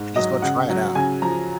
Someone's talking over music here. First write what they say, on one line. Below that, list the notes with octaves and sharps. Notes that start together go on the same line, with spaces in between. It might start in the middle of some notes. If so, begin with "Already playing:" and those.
just go try it out.
Already playing: G#2
F#3 D#5
C#3 F#5
F#3
C#3 G#5
F3 A#5